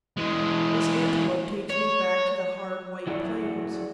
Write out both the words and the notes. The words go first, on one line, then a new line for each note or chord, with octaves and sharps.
This antelope takes me back to the hard, white Plains.
E3 G#3
C#5
F#3 E4 F#4 G#4 D5